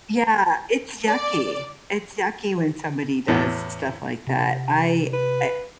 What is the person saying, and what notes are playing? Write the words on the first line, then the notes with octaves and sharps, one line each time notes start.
Yeah, it's yucky. It's yucky when somebody does stuff like that. I I
D5
E2 A2
C3
B4